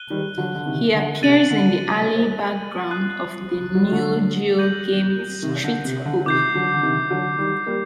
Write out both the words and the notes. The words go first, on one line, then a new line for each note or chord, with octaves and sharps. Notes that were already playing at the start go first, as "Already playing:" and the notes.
He appears in the alley background of the Neo-Geo game "Street Hoop".
Already playing: F#6 D#7 G7
D#3 G3
D3 F#3
D3
C3 D#3
D3
C3 A6 D#7 F#7
D3
D#6 F#6 C7 D#7
F#3
G3
D3 F#3
G6 A#6 D#7 F#7
C3 D#3
D3
C3
D3
C3 D#3 D6 G6 C7
D3 F#3
D3
C3 D#3
D3 F#3
D#3 G3
G3 A#3